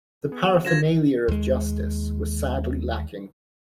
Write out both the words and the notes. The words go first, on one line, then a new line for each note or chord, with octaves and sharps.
The paraphernalia of justice were sadly lacking.
B3 G#4
D3 F#3 F4 G#6 A#6 E7
D#2 G#3